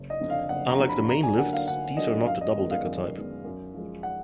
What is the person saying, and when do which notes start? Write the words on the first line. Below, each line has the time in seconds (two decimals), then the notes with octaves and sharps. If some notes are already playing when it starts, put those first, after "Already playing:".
Unlike the main lifts, these are not the double-decker type.
Already playing: F#1
0.10 D#5
0.20 F2 D3
0.30 F5
0.49 F#1 F#5
0.68 A#5
0.79 F2 D3
0.89 B5
1.08 D2 A#5
1.23 G#5
1.37 D3 F#3 A#3 F#5
1.53 F5
1.68 D2 F#5
1.97 D3 F#3 A#3 D#5
2.26 F#2 F5
2.41 D#5
2.56 D#3 G#3 B3
2.70 F5
2.86 F#2
3.15 D#3 G#3 B3
3.45 F#2
3.74 F3 G#3
4.03 F#5